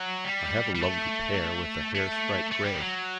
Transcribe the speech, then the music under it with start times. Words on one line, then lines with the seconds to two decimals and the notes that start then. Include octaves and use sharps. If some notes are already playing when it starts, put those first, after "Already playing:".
I have a lovely pair with a hair stripe, grey.
Already playing: F#3
0.24 G3
0.75 G3
0.82 A3
1.95 A3
2.52 A3
2.65 G3
2.74 D#3
2.80 F#3